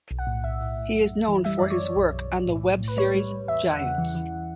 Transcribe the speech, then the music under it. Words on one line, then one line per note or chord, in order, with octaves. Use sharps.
He is known for his work on the web series "Giants".
B1
F#5
A2
B1 E5
A2
A2
F#2
F#2
E3
G3 E5
F#2 D5
C#5
F#2
B1
B1
B1
A2
B1
A2
B4
G3 C#5
G3
G3
E2 E5
E2
F#5
C#3
E3
E3